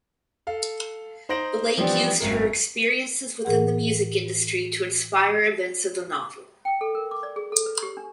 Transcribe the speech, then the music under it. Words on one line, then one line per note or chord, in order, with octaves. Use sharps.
Blake used her experiences within the music industry to inspire events of the novel.
A4 F5
D#4 C5 A#5 A#6 D7 F#7
E3 F3 G3 B3 C4 D4
G#1 F#2 A#4
A2 E3 G#4 A#4 F#5
G5
A4
A#4
D6
D5
G#4
A4
B4
G4
D4